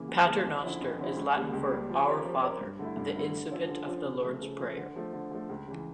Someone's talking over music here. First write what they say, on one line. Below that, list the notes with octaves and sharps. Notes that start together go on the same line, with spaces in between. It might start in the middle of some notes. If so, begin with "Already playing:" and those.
"Pater noster" is Latin for "Our Father", the incipit of the Lord's Prayer.
Already playing: C#3 E3 A#3
C#2
C#3 E3 A#3
F2
D3 F3 C#4 E4
F2
D3 F3 C#4 E4
C#2
C#3 G3 A#3
C#2
C#3 G3 A#3
F3
C#4 G4 A#4 C#5
F3
C#4 G4 A#4 C#5
G2
D3 A3 E4
G2
D3 A3 E4
D3
F3 C#4 F4 A4
D3
F3 C#4 F4 A4
C#3
F3 A3
C#3
F3 A3
D3
F3 A3
D3
F3 A3
C#2
C#3 E3